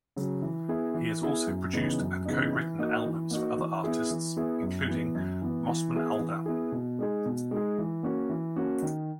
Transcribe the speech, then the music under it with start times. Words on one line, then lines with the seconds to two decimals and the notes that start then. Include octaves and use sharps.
He has also produced and co-written albums for other artists, including Mosman Alder.
0.16 C#3 F#3
0.42 E3
0.68 B3 E4 G#4
0.94 E3
1.21 B3 E4 G#4
1.47 F#2
1.73 C#3 E3 B3 D#4
1.99 F#2
2.25 C#3 E3 B3 D#4
2.53 E3
2.79 A#3 D#4 F#4
3.05 E3
3.31 A#3 D#4 F#4
3.58 E3
3.84 B3 E4 G#4
4.10 E3
4.37 B3 E4 G#4
4.62 F#2
4.89 E3 B3
5.15 F#2
5.42 E3 B3
5.68 E3
5.94 B3 E4 G#4
6.19 E3
6.46 B3 E4 G#4
6.72 B2
6.99 G#3 D#4 G#4
7.26 B2
7.51 G#3 D#4 G#4
7.78 E3
8.03 A#3 C#4 F#4
8.29 E3
8.56 A#3 C#4 F#4
8.82 D#3